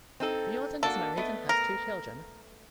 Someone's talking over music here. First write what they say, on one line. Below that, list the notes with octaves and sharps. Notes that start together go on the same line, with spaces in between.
Riordan is married and has two children.
C4 D#4 A4
A#3 D4 F#4 A4
A3 B3 D#5
A#4